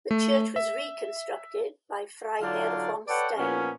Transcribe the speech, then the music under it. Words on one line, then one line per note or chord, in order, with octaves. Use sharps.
The church was reconstructed by Freiherr vom Stein.
A3
E5
D3 F#3 D#4 F4 D5
A4 B4 C#5 D5 F#5 G5
A#2 F3 B3 C#4